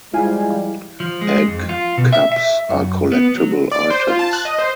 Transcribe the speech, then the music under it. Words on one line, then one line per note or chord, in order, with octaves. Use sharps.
Egg cups are collectible items.
F3 G3 G#3 E4 F5 G#5
F3
G#3
F2
F4
B2
E5
E5
F#2
B3
F#3
D5
C5
F4
A5
F#6
D#5
C5